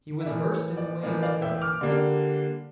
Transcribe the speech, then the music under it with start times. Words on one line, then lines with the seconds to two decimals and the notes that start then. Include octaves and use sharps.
He was versed in the ways of Governments.
0.20 E5
0.26 A2 E3 A#3 D5
0.52 C#5
0.77 D5
1.03 A2 E3 A#3 D5
1.23 D5 F5
1.42 E5 G5
1.61 D6 F6
1.81 D3 G3 A#3 D4